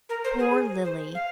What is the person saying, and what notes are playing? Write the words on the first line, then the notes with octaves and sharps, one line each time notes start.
Poor Lily!
A#4
C5
G#4
C5
F5